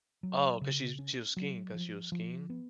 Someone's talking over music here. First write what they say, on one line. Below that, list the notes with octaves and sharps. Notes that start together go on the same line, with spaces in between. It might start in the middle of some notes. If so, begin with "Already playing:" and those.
Oh, 'cause she's she was skiing 'cause she was skiing?
F#3
C#3
C#4
F#3
F3
F3
B3